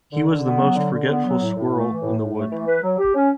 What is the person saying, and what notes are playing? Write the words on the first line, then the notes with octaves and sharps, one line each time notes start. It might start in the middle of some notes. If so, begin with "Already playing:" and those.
He was the most forgetful squirrel in the wood.
D3
D3
B3
F#3
D3
D3
B3
F#3
A2
A2
A3
E3
A2
A2
A3
E3
B4
F#3
G4
C#4